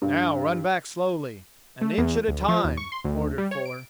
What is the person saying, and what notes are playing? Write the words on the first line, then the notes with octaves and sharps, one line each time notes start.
"Now run back slowly--an inch at a time," ordered Fuller.
G2
A3
E2
D2
F3
D#2
C#6
C6
D2
G3
C#5
D7